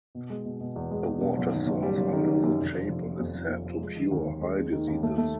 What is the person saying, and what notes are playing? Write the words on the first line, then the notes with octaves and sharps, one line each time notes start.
A water source under the chapel is said to cure eye diseases.
B2
G#3
B2
B2
E2
G#3
E2
B2
F#1
D#3
F#1
G3
F#1
D#3
D#3
F#2
F1
F3
F1
C3
F2
F3
F2
F3
G#3
D#3
D#2
D#2
G#3
G#3
D#3
D#2
A3
A3